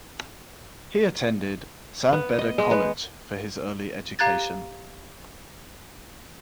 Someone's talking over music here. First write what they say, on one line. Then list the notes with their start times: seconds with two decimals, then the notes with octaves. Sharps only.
He attended San Beda College for his early education.
2.13 B3
2.39 D#5
2.58 G#3
2.71 B3
4.19 G4 F5 A#5 F#6 G#6 A6